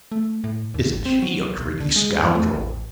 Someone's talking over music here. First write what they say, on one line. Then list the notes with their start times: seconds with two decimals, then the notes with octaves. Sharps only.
Isn't he a greedy scoundrel?
0.12 A3
0.44 A2
0.74 D#2
0.93 G#1
1.06 C4
1.22 F#3
1.57 B1
1.80 D3
1.96 G#3
2.21 G2
2.35 A3
2.56 A1